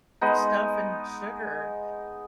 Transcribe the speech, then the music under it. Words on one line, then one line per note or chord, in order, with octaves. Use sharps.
stuff and sugar.
G#3 B3 D#4